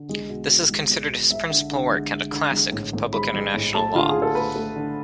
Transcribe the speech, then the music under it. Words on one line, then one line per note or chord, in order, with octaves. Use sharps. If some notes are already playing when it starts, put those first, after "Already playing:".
This is considered his principal work and a classic of public international law.
Already playing: D3
G#3
B2
B2
G#3
G#3
B2
G#3 E5
D3
D3
G#3
G#3
D3
G#3
A2
A2
G#3 B5
G#3
A2
A3 A5
D3 F4
G#4
D3
A4
A3 B4
A3
D3